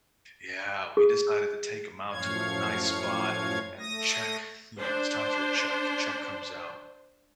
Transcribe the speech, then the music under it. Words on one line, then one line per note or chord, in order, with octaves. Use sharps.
Yeah, we decided to take him out to a nice spot and check you know, it's time for the check. Check comes out
G#4
F#2 A2 F3 C#5 F5 G#6
A3 D#6 A#6
D4 C5